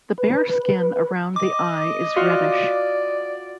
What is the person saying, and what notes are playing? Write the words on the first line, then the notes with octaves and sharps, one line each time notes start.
The bare skin around the eye is reddish.
B4
D#5 D6
F4 F#4 D5 F5